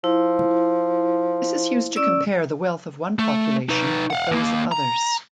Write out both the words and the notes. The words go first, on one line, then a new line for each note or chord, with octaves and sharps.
This is used to compare the wealth of one population with those of others.
F3 E4
C#4 D5 E6
A3
D#4 B4
F5 F#5
D#2 A#3
A#5